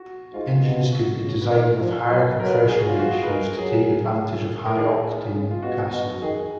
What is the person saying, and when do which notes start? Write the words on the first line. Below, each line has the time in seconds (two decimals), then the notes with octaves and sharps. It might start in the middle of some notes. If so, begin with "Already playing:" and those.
Engines could be designed with higher compression ratios to take advantage of high-octane gasoline.
Already playing: F#4
0.34 G#2 F4
0.64 B2
0.92 F#4
1.22 C#3
1.41 B4
1.51 D#3 A#4
1.81 F3
2.10 F#3 B4
2.40 F#3 A#4
2.46 B4
2.54 A#4
2.69 G#4
2.79 F#4
2.89 F4
2.99 F3 F#4
3.13 G#4
3.23 B4
3.28 G#3 A#4
3.57 F#3 G#4
4.66 A#4
4.75 D#3 G#4
5.34 C#3
5.51 F4
5.63 B2 F#4
5.92 B2
6.21 D#3 G#4